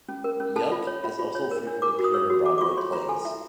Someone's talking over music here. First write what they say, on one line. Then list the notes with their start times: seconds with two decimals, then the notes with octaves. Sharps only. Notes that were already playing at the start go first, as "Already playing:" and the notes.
Yuk has also frequently appeared in Broadway plays.
0.09 C#4
0.24 A#4
0.40 C#4
0.56 A4 A5
0.72 F4
0.87 C#5
1.04 F4
1.19 F4
1.35 C#5
1.51 A#4
1.67 D4
1.82 A#4 D6
1.99 F#4
2.04 D#6
2.14 C#5 E6
2.30 F#4
2.45 A4 D6
2.58 D6
2.61 F4 C#6
2.78 C#5 C6
2.93 F4 A#5
3.09 A4 G#5
3.25 E4 E5